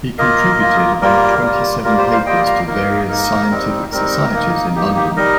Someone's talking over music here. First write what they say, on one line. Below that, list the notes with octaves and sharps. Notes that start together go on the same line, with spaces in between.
He contributed about twenty seven papers to various scientific societies in London.
A#3 F4 A#4 D#5
A#3 F4
G3 A#3 F4 A#4
G3 A#3 F4
G3 A#3 F4 A#4
G4 C5
C5 F5
G3 A#3 F4 D#5 G5
F5 A#5
A#3 D#4 A#4
A#3 D#4 A#4
G3 C4 D#4
G3 C4 D#4 A#4
A#3 D#4
A#3 D#4 G4
G4
G3 D#4 A#4 D#5